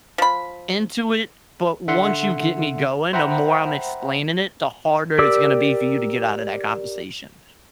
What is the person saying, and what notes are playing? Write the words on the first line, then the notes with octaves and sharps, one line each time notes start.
into it, but once you get me going, the more I'm explaining it, the harder it's gonna be for you to get out of that conversation,
F3 B5
D3 E5 F#5 C6 C#7
C5 E5 F#5 G5 A#5 B5
G4 A#4 D5 D6 E6